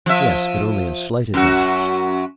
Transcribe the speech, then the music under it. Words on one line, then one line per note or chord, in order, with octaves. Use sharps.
"Yes, but only a slight advantage."
F3 E5
F#2 F#4